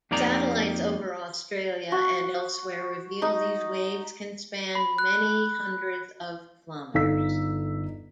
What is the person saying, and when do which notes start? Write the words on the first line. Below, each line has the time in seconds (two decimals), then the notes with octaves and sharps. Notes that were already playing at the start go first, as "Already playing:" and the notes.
Satellites over Australia and elsewhere reveal these waves can span many hundreds of kilometers.
0.11 F2 A#3 D#4 G4 D5 A#5
1.92 F#4
3.22 D#4
4.75 B5
4.98 F#6
6.94 G1 D#4 A4 F5 E6 B6